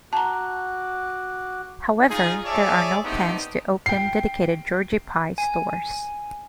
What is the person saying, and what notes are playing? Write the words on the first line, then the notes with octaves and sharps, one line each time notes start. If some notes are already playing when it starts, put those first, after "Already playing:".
However, there are no plans to open dedicated Georgie Pie stores.
F#4 A5 A#5 D6 F#6
D#4 F4 G#4
G#4 C#5 D5 E5 A5
A3 B3 C4 D4 D#4 G4
G5 C7
G#5